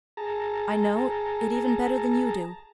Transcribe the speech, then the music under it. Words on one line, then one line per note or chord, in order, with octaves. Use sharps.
I know it even better than you do.
G#4 A5 A#5